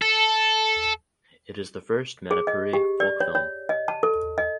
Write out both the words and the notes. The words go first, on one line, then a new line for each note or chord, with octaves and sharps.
It is the first Manipuri folk film.
A4
G#4
D#5
G4
D5
C#5
C#5
D#5
A5
A4
D#5